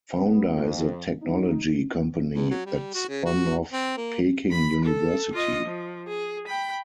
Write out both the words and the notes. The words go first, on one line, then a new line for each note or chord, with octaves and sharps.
Founder is a technology company that spun off Peking University.
B3
F2
D#4
E2
F#3
G3
F#4
C#3
F#4
C4
A#3
B5
A4
F4 D#5
F3
G#4
G5 B5